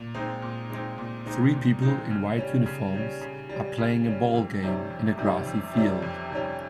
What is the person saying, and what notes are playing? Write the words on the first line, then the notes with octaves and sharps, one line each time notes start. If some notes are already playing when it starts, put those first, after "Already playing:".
Three people in white uniforms are playing a ballgame in a grassy field.
Already playing: A#2
G#3 C4 D#4
A#2
G#3 C4 D#4
A#2
G#3 C4 D#4
A#2
G#3 C4 D#4
C#3
G3 C#4
C#3
G3 C#4
C#3
G3 C#4
C#3
G3 C#4
F2
C3 D#3 G3 C#4
F2
C3 D#3 G3 C#4
F2
C3 D#3 G3 C#4
F2
C3 D#3 G3 C#4